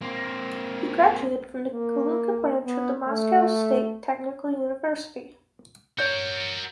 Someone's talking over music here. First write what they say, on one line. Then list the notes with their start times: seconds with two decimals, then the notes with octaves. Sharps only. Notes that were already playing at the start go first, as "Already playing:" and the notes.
He graduated from the Kaluga branch of the Moscow State Technical University.
0.01 A#3 C4
1.73 A#3
2.66 B3
3.08 A3
5.99 F#4 A#4 C#5 G6